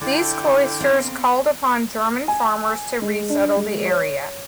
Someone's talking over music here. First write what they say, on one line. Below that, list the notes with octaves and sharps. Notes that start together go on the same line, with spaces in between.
These cloisters called upon German farmers to resettle the area.
D3 E4 A4 G5
C4 F5
G#5
G#3
D4
G#3
C#5